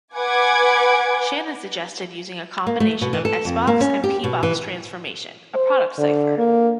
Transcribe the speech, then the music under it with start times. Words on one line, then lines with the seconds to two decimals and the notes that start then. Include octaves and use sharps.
Shannon suggested using a combination of S-box and P-box transformation-a product cipher.
0.15 B4 F#5 G#5 B5 D6 G#6
2.67 A#3
2.80 A3
3.01 B2
3.13 E3
3.25 A4
3.45 F2
3.67 A#3
3.81 C#4
4.04 G4
4.24 B2
4.43 E3
5.55 C5
5.98 D3
6.38 A#3